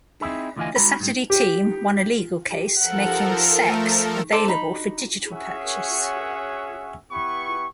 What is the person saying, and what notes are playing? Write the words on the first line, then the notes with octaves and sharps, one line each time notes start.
The Saturday Team won a legal case, making "Sex" available for digital purchase.
C4 D#4 E4 G#4
D2 D3 E3 F4 D#5 G#5
G3 G#3 F#4 A4 A#5 B5
G#2 G3
G4
F3 A4 A#4 F#5
A3
A4 C5 D5
D#4 B5
C#4 F#4 G#4 C#5 E5 F#5
B3 E4 G4 B4 C#6